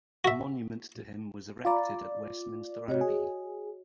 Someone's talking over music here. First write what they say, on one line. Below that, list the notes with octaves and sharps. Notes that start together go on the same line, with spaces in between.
A monument to him was erected at Westminster Abbey.
F#4 E5
F4 D5 F5 A#5 B5
C3 F#4 C#5 D#5
G#4